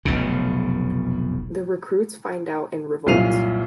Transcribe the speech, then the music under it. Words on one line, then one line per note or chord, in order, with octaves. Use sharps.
The recruits find out and revolt.
F1 B1 F#2 C#3
C2 F#2 A#2 C7 D#7 F7